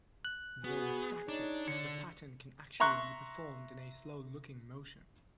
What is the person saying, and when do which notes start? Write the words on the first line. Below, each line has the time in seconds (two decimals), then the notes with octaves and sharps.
Though with practice, the pattern can actually be performed in a slow-looking motion.
0.25 F#6
0.64 B3 F#4 G#4
1.28 D4 D#4 C#5
1.68 D3 D4 C#7
2.80 E5 A#5 C6 C#6 F#6